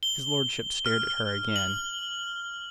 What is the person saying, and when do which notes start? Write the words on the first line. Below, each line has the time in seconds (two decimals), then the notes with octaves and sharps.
His lordship stared at her again.
0.03 G7
0.86 F6
1.56 F#7